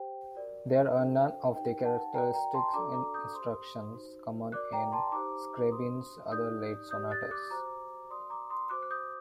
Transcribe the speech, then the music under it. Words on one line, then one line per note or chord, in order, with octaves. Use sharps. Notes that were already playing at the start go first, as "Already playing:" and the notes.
There are none of the characteristic instructions common in Scriabin's other late sonatas.
Already playing: G4 C5 G5
F#4 A#4 D5
D4 F#4 A4 C5 G5
G5
D#4 G4 C5 G5
F#5 A5
F#4 A#4 D5 G5 A#5
G5 A#5
A5 C6
D4 F#4 A4 D5 A#5 D6
A#5 D6
D#6 G6
G4 C5 C6 D#6
D#4 F#4 C5
F#4 A#4 D5 D6 F#6
G5 A#5
A5 C6
D#4 G4 C5 A#5 D6
D4 F#4 C5 C6 D#6
D#4 G4 D5 D#6 G6
G4 D5 D#6 G6
F#6 A6
D6 F#6
F#4 C5 A#5 D6
F#4 A#4 D5 C6 D#6
A#5 D6
C6 D#6
F#4 C5 D6 F#6
F#6
D#6 G6